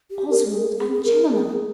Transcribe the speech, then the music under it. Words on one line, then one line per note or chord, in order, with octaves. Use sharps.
Oswald and Challoner!
G4
A#4
G#4
G#4
G#4
A#4
G#4